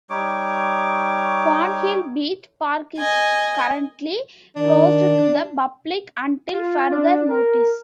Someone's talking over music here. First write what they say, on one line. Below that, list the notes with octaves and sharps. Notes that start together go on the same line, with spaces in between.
Font Hill Beach Park is currently closed to the public until further notice.
G3 D#4 C#5 D6
D#5 G#5
D#3 D4
F4
D4
A#4